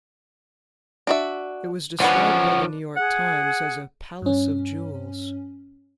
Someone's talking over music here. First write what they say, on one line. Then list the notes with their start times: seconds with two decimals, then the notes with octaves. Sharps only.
It was described by "The New York Times" as a "palace of jewels".
1.07 D4 F#4 E5
2.00 F3 C#4 D4 B4 F#5
2.97 G#4 F#5
4.22 G2 C#4